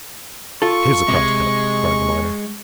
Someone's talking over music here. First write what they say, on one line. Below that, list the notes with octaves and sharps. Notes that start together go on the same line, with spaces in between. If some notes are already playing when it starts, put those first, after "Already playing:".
"Here's the cross cut," cried the miner.
F4 A4 C#6
C3 G#3